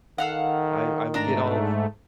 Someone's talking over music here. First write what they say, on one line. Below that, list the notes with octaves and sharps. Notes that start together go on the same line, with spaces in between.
I I would get all
D#3 A4 F5 F#5
G#2 A3 D4 A#5